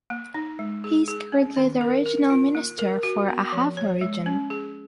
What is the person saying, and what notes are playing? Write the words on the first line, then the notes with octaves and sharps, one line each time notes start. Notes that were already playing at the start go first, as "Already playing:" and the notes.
He is currently the Regional Minister for Ahafo region.
A#3
D#4
G#3
G#4
G#4
C#4
D#3
A#4
A#4
F4
A#3
A#4
F#4
B3
F3
C#5
G#3
C#4
G#4